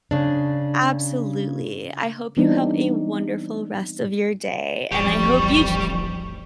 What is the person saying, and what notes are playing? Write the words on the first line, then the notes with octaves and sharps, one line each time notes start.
Absolutely, I hope you have a wonderful rest of your day, and I hope you sh
C#3 D4
E3 G3 B3 C4 D4 D#4
D1 A1 F2 G3 G4 C#6